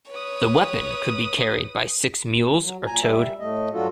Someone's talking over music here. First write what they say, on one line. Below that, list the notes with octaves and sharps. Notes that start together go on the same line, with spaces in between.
The weapon could be carried by six mules or towed.
B4 C#5 D#6
F#3
A#2 G#5 A#5
G3 E5
A2 A3 D#5
G2 F#3 D4 F4 F#4 A4